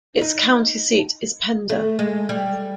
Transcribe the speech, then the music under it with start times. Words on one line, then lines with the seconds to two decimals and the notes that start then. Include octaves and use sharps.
Its county seat is Pender.
0.21 D#4
1.70 A3
1.99 G#3
2.29 G3